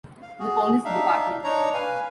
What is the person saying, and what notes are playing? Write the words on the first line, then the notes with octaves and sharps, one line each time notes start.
The police dept.
F5
F#4 G#4
D4 D#4 E5 F5
D4 D#4 C#5 A#5
B4 F5 G#5